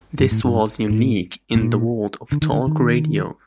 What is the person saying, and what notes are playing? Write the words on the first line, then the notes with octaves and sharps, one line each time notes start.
This was unique in the world of talk radio.
G2
A2
G2
A2
A2
A#2
D3
D#3
D3
D#3